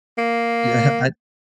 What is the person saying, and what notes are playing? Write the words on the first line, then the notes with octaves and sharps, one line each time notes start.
Yeah, I
A#3